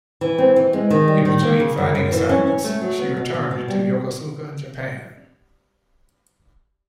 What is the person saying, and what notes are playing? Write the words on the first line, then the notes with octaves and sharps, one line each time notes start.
In between fighting assignments, she returned to Yokosuka, Japan.
E3
C4
E3
G#3
D#3
G3
D#3
A#3
C#3
F#2
F#2
E3
C#4
C#4
A3
F#3
B3
B2
B2
B2
G3